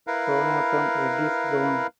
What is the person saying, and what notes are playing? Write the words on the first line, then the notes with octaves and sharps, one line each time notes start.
Pronotum reddish brown.
E4 A#4 B4 F5